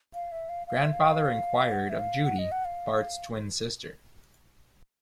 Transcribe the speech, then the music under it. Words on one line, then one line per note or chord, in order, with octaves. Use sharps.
Grandfather inquired of Judy, Bart's twin sister.
F5
E5
F5
F5
E5
F5
F#5
E5
F5
F#5
D#5
F#5
F5